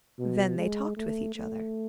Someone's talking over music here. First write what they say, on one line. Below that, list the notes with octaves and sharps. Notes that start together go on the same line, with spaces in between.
"Then they talked with each other."
B2
G#3
A3
A3